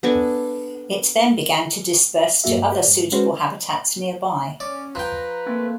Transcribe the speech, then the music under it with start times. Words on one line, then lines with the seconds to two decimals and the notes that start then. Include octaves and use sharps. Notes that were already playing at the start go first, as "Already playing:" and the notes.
It then began to disperse to other suitable habitats nearby.
0.03 B3 D4 A4 G#5
2.44 F#2 A2 A#3 F#4 E5
2.57 G2
2.72 G4 C5 D5
2.88 G#2
3.12 G#3 C#4 F#4 B4 C5
4.60 C#4 D5
4.95 F3 B4 G5 A#5
5.46 A3 A#3 C4